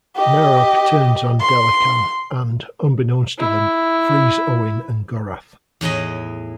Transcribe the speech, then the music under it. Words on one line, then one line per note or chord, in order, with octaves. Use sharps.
Narab turns on Delekhan and, unbeknownst to them, frees Owyn and Gorath.
G4 D#5
C6
E4
E2 A2 E4 D#5